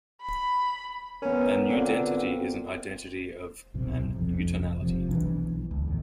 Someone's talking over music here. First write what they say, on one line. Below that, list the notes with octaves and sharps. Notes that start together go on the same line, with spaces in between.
"An udentity is an identity of an utonality".
B5
B3 C#4 A#4
D3 C4 F4
D1 B1 F#2 C3
F#1 C2 F2
E1 C3 F3
B1 E3 D4
C#2
E2 A2 D#3